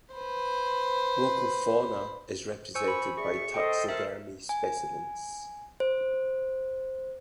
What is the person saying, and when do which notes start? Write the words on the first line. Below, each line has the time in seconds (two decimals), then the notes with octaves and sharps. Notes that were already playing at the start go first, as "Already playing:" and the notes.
Local fauna is represented by taxidermy specimens.
0.16 B4 C5
2.75 C5 G#5 C#6 E6
2.88 B5
3.17 G#4 D5 E5 C#6
3.54 A4 C5 D#5 G5
3.88 A4 A#4 C5 E5 F6
4.49 G#5
5.80 C5